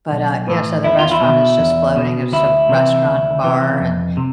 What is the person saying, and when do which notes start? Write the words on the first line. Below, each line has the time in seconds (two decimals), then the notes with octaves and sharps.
But uh, yeah, so the restaurant is just floating, it's a restaurant and bar, and
0.11 B1
0.48 A2 E3
0.84 E2 E4
0.99 F4
1.12 E4
1.21 B2
1.59 E2
1.96 B2
2.32 D2 E4
2.69 C3 E3
3.07 D2
3.44 C3 E3
3.80 F2
4.17 C3